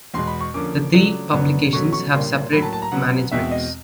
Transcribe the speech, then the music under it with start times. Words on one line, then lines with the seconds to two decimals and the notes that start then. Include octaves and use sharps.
The three publications have separate managements.
0.14 E2 B2 G#3 C6
0.27 B5
0.41 C#6
0.54 D3 F3 A#3 C#4 D6
0.94 C#3 F#3 A3 D4
1.33 F#2 D3 F#3 B3 D4
1.73 B2 F#3 A3 C#4 C#6
1.93 C#6
2.13 A#2 G3 A#3 D4 C6
2.52 A2 F#3 A#3 B5
2.62 A5
2.73 A5
2.82 A#5
2.92 C#3 F#3 B3 F#5
3.31 E2 B2 G#3 C4 E5
3.51 D#5